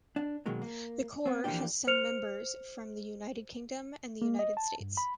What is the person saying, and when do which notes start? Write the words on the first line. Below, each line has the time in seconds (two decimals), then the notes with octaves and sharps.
The Corps has some members from the United Kingdom and the United States.
0.16 D4
0.46 B2 D#3 F#3 G#3 A#3
0.62 A#3
1.26 B3 C4
1.44 E3 F3 G#3 A#3 D4 G4
1.87 C5 F6 C#7 F7
4.22 A#3
4.39 D#5
4.57 A5
4.81 G2
4.97 B5